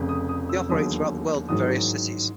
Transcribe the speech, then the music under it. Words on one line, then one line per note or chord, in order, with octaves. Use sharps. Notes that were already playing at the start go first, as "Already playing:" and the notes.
They operate throughout the world in various cities.
Already playing: F1 F2 C#3
D#6
D#6
E6
E1 D#2 D3 F#3 D#6
A1 G#2 D#3 F#3 D#6